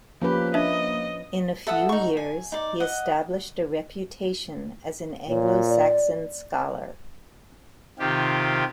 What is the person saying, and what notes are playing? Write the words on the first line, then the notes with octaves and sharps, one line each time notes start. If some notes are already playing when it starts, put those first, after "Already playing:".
In a few years he established a reputation as an Anglo-Saxon scholar.
F3 A#3 C#4 G4 B4
D4 D#5 E5
A4 E5 F#5 D#6
D#4 C#6
G#5
D#4 D5
D#5 F#5
A#2 C#5
D5
C3 D#3 F4 G4